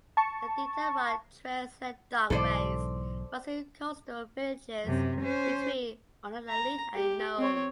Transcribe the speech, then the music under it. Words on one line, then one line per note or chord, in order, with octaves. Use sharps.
The Iditarod Trail Sled Dog Race runs through coastal villages between Unalakleet and Nome.
A5 C#6
B1 G#2 E3 A4 C5 D5
F#2 C3
C#4 C5
A#5
G4
C4 C#5